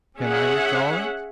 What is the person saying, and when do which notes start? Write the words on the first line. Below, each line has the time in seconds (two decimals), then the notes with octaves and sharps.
Can I recall it?
0.19 C#4 G#4 E5 F#5